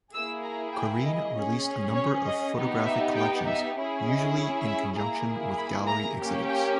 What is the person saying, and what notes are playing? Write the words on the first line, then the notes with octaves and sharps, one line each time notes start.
Korine released a number of photographic collections, usually in conjunction with gallery exhibits.
A#3 E4 G#4 E6
A#5
G5
D#5
C#4 G#4
C#5
D#5
B3 D#4 G4
E5
G5
E5
C#4 E4 G#4
D#5
E5
A#3 E4 G#4 A#5
B5
A#5
A#3 C#4 G4
G5